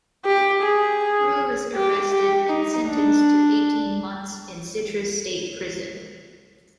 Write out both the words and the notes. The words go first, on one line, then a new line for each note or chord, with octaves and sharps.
Crewe is arrested and sentenced to eighteen months in Citrus State Prison.
G4
G#4
G4
G4
D#4
D4